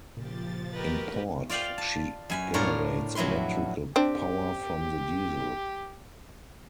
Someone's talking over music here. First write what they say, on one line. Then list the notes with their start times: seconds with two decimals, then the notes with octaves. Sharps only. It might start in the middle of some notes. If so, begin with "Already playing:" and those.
In port, she generates electrical power from the diesel.
0.17 A#2 C#3 F3 A#3 G4 A6
0.73 F#4 G4 A#4 B4 D#5
1.50 F4 D5 F5 G5
1.78 A5
2.30 F#2 G#5 B5
2.54 A2 D4 F4 A#4 C#5
3.15 F2 F#3 E4 B4 C6
3.96 C4 D4 G4